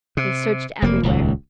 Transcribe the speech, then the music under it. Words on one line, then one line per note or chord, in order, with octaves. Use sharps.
They searched everywhere.
C3
F1 A#3
D#1 C#2